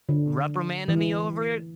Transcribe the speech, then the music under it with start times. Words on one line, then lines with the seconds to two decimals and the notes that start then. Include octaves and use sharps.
reprimanding me over it,
0.09 D3
0.88 E3